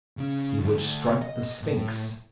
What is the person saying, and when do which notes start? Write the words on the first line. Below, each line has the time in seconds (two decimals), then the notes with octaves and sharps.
He would strike the Sphynx.
0.17 C#3 C#4
0.60 D2
1.22 D#5
1.62 A2